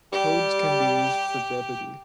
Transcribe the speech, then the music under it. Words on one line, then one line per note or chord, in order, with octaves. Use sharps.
Codes can be used for brevity.
G3 G4